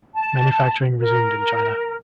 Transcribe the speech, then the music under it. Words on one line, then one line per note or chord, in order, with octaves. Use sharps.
Manufacturing resumed in China.
A5
A#4